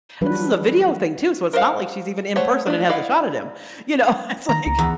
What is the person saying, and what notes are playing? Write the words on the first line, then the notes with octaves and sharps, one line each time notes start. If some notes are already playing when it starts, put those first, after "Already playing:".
and this is a video thing too, so it's not like she's even in person and has a shot at him. You know, it's like
E3 F#3 G3 D4 B4
A#4 C5 D#5 F5 F#5
A3 C5 C#5 F#5
A3 D4
E4 D5 D#5 F5 F#5
D#3 A#5
C#2
E2